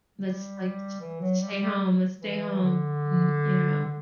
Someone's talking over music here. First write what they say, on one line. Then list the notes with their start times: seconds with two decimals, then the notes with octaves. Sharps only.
Let's, like, s let's stay home. Let's stay home. N you know?
0.18 G3
1.00 E3
1.21 F#3
1.41 G3
1.61 G3
2.22 E3
2.63 D3
3.85 D3